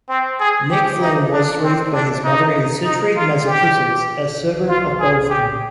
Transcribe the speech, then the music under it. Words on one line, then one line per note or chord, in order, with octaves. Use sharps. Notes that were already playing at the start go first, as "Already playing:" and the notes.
Nick Flynn was raised by his mother in Scituate, Massachusetts, a suburb of Boston.
C4
G#4
G4
D#4
D4
C4
D4
D#4
D#4
F4
G4
F4
G#4
G4